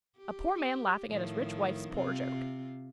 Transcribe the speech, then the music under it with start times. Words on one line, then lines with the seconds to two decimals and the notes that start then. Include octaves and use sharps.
A poor man laughing at his rich wife's poor joke.
0.18 G4
1.10 A2 D#3 F3
1.93 C3 C4 F4